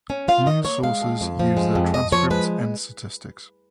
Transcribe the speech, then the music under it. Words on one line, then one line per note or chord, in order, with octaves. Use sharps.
News sources use their transcripts and statistics.
C#4
F4 F5
D#3 D#5
A#3 C#5
G#3 F5
F2
F2
F3
G#3
F2
F2 D#5
F3 C#5
G#3 B4